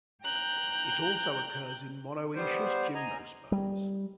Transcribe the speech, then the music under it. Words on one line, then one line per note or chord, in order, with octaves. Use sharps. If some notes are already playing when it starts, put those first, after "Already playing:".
It also occurs in monoecious gymnosperms.
G5 A#5 F#6 G6
G3 B3 C5
D#5 G#5 A#5
G3